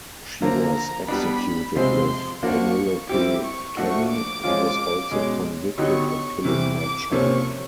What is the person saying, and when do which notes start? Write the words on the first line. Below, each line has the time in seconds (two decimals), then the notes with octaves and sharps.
She was executed with Penelope Kenny, who was also convicted of killing her child.
0.42 D3 F3 A#3 A#5
0.75 A#5
1.08 G3 B3 D4 B5
1.76 C3 F3 G#3 C4 C6
2.43 F3 A#3 D4 F#4 C#6
3.09 G3 C4 E4 G4 D6
3.43 C#6
3.77 F3 A3 D4 F#4 C#6
4.10 D6
4.43 F3 G#3 C#4 F4
5.11 B2 G#3 C#4
5.77 D3 F#3 B3 D#4 G4 C#6
6.44 C3 E3 G3 D6
6.78 D6
7.11 C3 F3 A#3 C#4 C#6